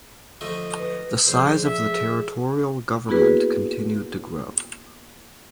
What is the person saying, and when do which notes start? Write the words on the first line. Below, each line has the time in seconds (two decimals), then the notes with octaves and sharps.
The size of the territorial government continued to grow.
0.41 D3 F3 A3 D#5
0.77 B4
1.27 A#1 G#4 C5
1.65 E5
3.08 A#3 B3 E4 F#4 G#4 B4